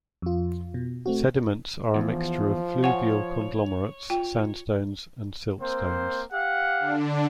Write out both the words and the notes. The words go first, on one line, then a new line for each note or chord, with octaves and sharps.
Sediments are a mixture of fluvial conglomerates, sandstones, and siltstones.
F2 F4
B2
A3 C4 F#4
E2 F3
C#5 F#5 G#5
F4 G5
A#3 C4 C5
G4 F5 F#5
D3 D4